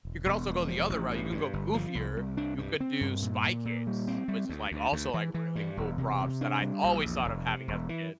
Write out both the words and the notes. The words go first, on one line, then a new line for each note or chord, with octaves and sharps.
you could also go the other route, you can go goofier, you could do Spy Kids, which is, like, also, like, really cool props that I always thought of having as a kid.
E1
E1
E1
F3
A1
G2
G2
G1
F3
C2
C2
D4
G2
C4
G2
A#2
A#2
A#2
G3
C4
G3
D2
D2
D2
E3
E3
G2
E1
C3
C3
D4
G3
A#1
E2
F1
C3
E1
E3